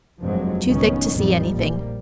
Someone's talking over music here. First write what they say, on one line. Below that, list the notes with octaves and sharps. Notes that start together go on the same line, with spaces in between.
Too thick to see anything.
F1 G2 F3 F#3 G#3 C4
C#2 A2 D#3 B3 C#4
A1 F2 A2 D#3 F3 G3
A#1 G3 A#3